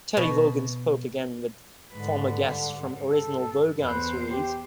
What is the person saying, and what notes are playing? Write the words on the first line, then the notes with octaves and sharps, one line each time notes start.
Terry Wogan spoke again with former guests from original 'Wogan' series.
B2
G#2 D3 B4
G2
A4
E2 B4 C5
G4